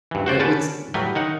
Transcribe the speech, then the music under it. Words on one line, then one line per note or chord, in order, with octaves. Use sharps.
It was
G2 E3
F#4 C5 D5
D3 C#4 B4 D5 A5
A2 F#3 G3 B4
D#3 D#4 F#5